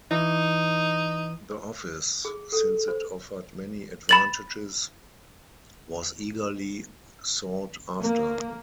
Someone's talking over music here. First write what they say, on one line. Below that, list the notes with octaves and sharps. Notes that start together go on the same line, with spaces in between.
The office, since it offered many advantages, was eagerly sought after.
E3 D#4
G#4
A4
C5
B5 A6 F#7
A#3